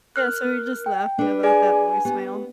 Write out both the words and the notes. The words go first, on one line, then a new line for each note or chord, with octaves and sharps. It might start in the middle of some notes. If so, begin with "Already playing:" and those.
Yeah, so we're just laughing about that voicemail.
A#4 F6 F#6
G5
D4 B4
G#4 D5 G#5
B3 G4